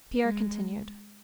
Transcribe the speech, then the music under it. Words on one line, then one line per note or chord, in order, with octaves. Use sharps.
Pierre continued.
G#3